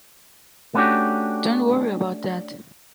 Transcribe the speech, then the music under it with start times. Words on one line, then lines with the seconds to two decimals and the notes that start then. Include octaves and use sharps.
Don't worry about that.
0.74 A3 B3 C#4 D4 F#4 G4